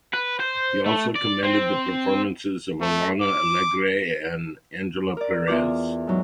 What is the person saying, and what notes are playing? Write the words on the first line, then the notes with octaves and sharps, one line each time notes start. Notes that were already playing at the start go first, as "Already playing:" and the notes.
He also commended the performances of Alona Alegre and Angela Perez.
B4
C5
A3
D5
C4
A3
D6
A#4 D5
E2 F4 D6
G#2 F#3